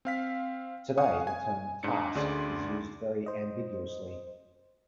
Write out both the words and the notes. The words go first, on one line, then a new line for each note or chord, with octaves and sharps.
Today the term "task" is used very ambiguously.
C4 F5 B6
F5 F#5 G#5 C#6 D#6
G#5
G#2 D4 C#7
D2 D3 C#4 G#4 D5 C6
C5 D#5